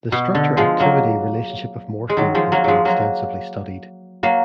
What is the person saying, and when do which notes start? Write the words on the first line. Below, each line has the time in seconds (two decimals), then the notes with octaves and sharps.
The structure-activity relationship of morphine has been extensively studied.
0.12 B2
0.35 D3
0.57 F3 G#3
0.80 F#3 A#3
2.09 G#3
2.17 D#3 F#3
2.35 F3 G#3
2.52 F#3 A#3
2.64 F3 F#3 G#3
2.85 F#3 A#3
4.23 F#3 A#3